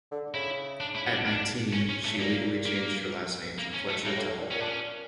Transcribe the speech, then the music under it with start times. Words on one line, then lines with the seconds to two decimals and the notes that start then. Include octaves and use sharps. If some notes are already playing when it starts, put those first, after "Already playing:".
At nineteen, she legally changed her last name from Fletcher to Hall.
0.11 D3
0.34 C#3 E4
0.80 D4
0.96 E4
1.07 C#4
1.11 D4
1.27 D4
1.73 C#4
1.89 C#4
2.05 A3
2.13 C#3
2.19 A#2 A#3
2.66 A#3
3.59 A#3
3.74 C#4
3.89 A3
4.05 A2 A#3
4.17 A2
4.28 A2
4.40 A#2
4.51 A#2 C#4
4.60 D4
4.69 C#4